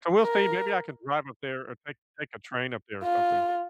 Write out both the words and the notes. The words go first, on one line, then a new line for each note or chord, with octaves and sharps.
I will say, maybe I can drive up there, or take take a train up there, or something.
A#4
F4